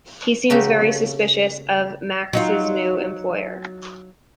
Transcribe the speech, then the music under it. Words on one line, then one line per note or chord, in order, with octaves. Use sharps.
He seems very suspicious of Maks's new employers.
C#3 A3 A#3 F#4 G4
F#3 D#4 F4